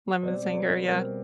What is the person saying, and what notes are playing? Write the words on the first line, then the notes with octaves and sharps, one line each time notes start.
lemon zinger, yeah.
B2 G3 C4 C5 D5
D5
B4 C#5
B2 G3 C4 A#4 C5